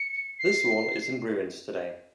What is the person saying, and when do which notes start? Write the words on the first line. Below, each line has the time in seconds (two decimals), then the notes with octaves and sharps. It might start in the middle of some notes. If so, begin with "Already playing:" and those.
This wall is in ruins today.
Already playing: C#7
0.39 C7